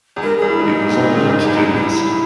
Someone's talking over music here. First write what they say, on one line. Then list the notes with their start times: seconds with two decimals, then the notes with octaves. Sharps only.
It was on my to-do list.
0.16 E2
0.23 G2 A#4
0.37 E2 G#4
0.50 E4
0.59 G2 D#4
0.89 A#2
1.03 A#2
1.12 D#3
1.16 C#3
1.30 G2
1.44 E2
1.57 G2
1.71 E2
1.75 D#4
1.83 G2 E4